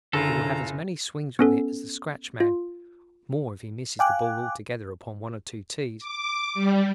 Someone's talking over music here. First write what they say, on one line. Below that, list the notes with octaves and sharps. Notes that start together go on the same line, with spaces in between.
He will have as many swings with it as the scratch man; more, if he misses the ball altogether upon one or two tees.
F#1 D3 F4 A4 A#5
B3 C#4 A4
F4
F5 G5 G#5 D6 F#6
D6
G3